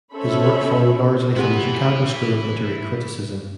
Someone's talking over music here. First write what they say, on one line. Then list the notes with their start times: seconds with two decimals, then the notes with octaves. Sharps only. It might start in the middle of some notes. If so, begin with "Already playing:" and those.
His work followed largely from the Chicago school of literary criticism.
0.13 C#4 A4 C5 C#5 E5 B5
1.36 C3 G#3 E4 G#4 B4 F#5